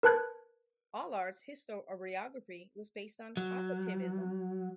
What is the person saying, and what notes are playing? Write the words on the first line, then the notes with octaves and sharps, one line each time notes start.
Aulard's historiography was based on positivism.
A#4 B4 A5 F#6 G#6
F#3